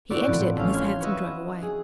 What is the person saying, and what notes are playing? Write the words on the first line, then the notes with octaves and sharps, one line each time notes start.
He entered it, and his hansom drove away.
B3 C4 E4 F#4 D5
A2 F3
A1 A3 C#4 F5
F5 C6 F6 G#6
F#4 B4 D#5 E5
G#4